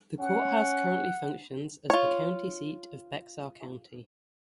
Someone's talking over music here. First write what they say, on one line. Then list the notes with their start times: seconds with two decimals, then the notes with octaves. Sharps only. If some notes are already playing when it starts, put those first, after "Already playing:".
The Courthouse currently functions as the county seat of Bexar County.
0.20 C#4 F#5
1.90 F4 C#5